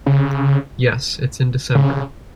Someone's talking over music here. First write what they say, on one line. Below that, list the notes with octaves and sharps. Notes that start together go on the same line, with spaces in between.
Yes, it's in December.
C#3
C#3